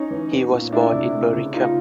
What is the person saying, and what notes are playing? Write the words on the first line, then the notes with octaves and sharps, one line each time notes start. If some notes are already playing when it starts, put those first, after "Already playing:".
He was born in Berekum.
Already playing: C#4 D#4
E3
B3
A#2
A3 D4 E4
C3
A3
C#3
B3 D#4 F4